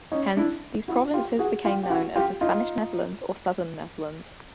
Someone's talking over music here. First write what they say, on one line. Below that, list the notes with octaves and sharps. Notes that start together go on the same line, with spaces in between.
Hence, these provinces became known as the Spanish Netherlands or Southern Netherlands.
C#4 D#4
D4 E4
E4 F#4
F4 G4
F#4 G#4
F4 G4
G4
E4 F#4
F4 G4
D#4 F4